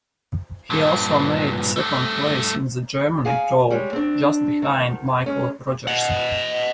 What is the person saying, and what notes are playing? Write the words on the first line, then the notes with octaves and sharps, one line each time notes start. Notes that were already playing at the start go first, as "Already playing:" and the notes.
He also made a second place in the Germany Tour, just behind Michael Rogers.
G2 A#2
G2 A3
G#4 F5 G#5
G3 G#3 C#5
C4 D4
D2 D#3
G#3 C#4
D#5 F#5